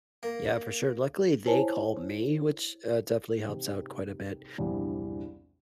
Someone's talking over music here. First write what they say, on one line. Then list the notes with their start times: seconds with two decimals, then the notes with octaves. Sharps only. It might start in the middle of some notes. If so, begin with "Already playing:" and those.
Yeah, for sure. Luckily, they called me, which, uh, definitely helps out quite a bit,
0.23 A#3
1.46 E4 C5 C#5 G#5 A5
3.49 G#2 C3
4.58 A#1 E2 G2 C3